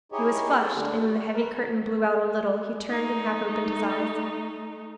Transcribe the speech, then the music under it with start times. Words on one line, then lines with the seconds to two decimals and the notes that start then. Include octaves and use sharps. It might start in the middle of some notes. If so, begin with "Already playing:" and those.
He was flushed; and when the heavy curtain blew out a little he turned and half-opened his eyes.
0.12 D#4 E4 G4 G#4 C#5 D#5
0.60 G4 A4 C5 D5 G5
0.74 D3 G3 A3 D4
1.00 F#4
1.34 A#4 B4
2.90 A3 D#4